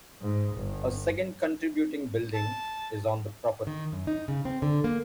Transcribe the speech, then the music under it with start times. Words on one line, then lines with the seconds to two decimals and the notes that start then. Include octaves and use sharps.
A second contributing building is on the property.
0.22 G#2
0.56 G1
2.35 A5
3.67 D#3
3.92 F#2
4.07 D#4
4.28 C#3
4.45 C4
4.62 D3
4.84 A#3